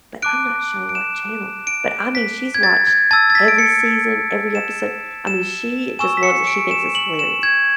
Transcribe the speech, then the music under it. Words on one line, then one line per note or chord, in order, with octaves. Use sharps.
but I'm not sure what channel. But I mean, she's watched every season, every episode, I mean, she just loves it, she thinks it's hilarious,
A5 D6 F#6 D7
D7
E7
D7
B6
G#6
A6
G#6
A5 E6 A6
A6
B6
D7
C#7
E7
E7
G#5 C#6 E6 E7
B6
C#7
D7
E7
F#7
E7
G#6